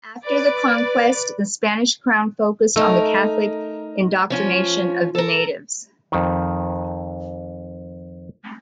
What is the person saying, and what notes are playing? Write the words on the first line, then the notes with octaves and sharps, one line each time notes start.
After the conquest, the Spanish crown focused on the Catholic indoctrination of the natives.
B4 D5
A3 D#4 A#4
F3 C#4 F4
A4 A#4
F2 D#3